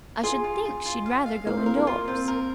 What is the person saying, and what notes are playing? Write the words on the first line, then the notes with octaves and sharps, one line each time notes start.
"I should think she'd rather go indoors."
F4 G#4
F4
F4
F4
F5
F5
A#3 F5
C4
A#3 A#4
A#3
F4
C4 F4
A#4